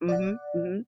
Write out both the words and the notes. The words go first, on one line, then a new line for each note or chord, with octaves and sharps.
Mhm, mhm.
D5 F#5